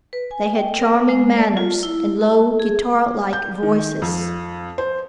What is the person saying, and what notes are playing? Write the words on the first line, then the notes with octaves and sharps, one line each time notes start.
They had charming manners, and low, guitar-like voices.
B4
G#5
G5
A#4
G#3
D5
F4
E4
A5
G#4
G6
D#3
F2
C5